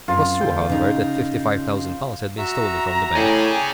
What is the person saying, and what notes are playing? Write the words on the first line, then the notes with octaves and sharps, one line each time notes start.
It was true, however, that fifty-five thousand pounds had been stolen from the Bank.
F#2 C4 F4
D2 G5
C#3 D#4
F#4 E5 A#5
A2 C#4 G#4 D5 G5 G#5